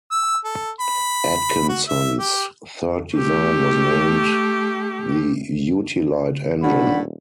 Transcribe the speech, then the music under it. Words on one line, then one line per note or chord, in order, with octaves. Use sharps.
Atkinson's third design was named the "Utilite Engine".
E6
A4
B5
F#4
E5
G4
A3 G4
D#1 A2 D4 F4 F#5 B5